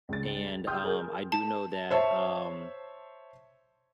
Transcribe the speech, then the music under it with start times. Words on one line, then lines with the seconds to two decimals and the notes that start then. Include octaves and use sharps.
and, um, I do know that, um,
0.09 C#2 A6
0.67 G5 C6 D#6 F6 G6
0.83 G#4 A#4
1.32 A5
1.91 C5 C#5 E5 A5